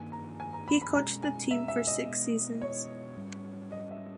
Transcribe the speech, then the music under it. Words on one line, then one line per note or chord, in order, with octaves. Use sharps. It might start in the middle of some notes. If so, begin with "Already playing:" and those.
He coached the team for six seasons.
Already playing: G2 D#3 A#3 G#5
A#5
G#5
A#5
B5
B5
B2 G#3 C#4 A#5
G#5
E5
E5
D#5
B2 G#3 B3
C#5
G#2 G3 C#4
D#5
E5